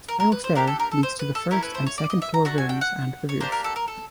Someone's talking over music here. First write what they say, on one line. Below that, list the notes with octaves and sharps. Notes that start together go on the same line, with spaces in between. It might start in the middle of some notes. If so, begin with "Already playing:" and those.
A spiral stair leads to the first and second floor rooms and the roof.
A#4
A#4
B4
C5
D4 G4 A#4
A4
A#4
A4
C5
B4
A4
C#4 E4 A4 A#4
B4
C5
C#5
D5
D#5
E5
A#5
A3 D4 F#4 A#5
G#5
G5
F#5
C#5
A#3 D4 G4 C5
A#4
A4
A#4
A4